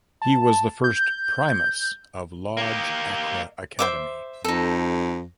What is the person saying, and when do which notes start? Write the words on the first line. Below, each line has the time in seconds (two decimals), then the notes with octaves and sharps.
He was the first "Primus" of Lodge Accra Academy.
0.22 A5
0.84 G6
2.57 A#3 G4
3.79 C5 E5 D6
4.44 F2 D#4 A4